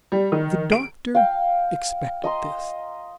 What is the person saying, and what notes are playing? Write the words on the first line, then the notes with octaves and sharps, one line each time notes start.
The doctor expected this.
G3
D#3
D7
F5 G5
D#5 A#5 C6